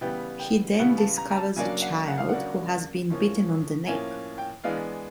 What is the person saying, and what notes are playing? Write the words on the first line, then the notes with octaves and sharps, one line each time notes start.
He then discovers a child who has been bitten on the neck.
C#3 E3 G3 B3 G5
G5
C#3 E3 G3 B3 F#5
A5
A#5
A#5
A5
C#3 F#3 A#3 D4 G#5
F#5
F#5
F5
C#3 F#3 A#3 D4 F#5
A2 F3 A#3 C#4
A2 F3 A#3 C#4 G#5
G5
E3 G#3 B3 D4 F5